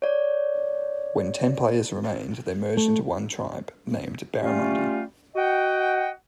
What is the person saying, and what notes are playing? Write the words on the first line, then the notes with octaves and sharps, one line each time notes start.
When ten players remained, they merged into one tribe, named Barramundi.
C#5 D5
A3
G3 A3 C#4 F4
F#4 D#5 F#5 G5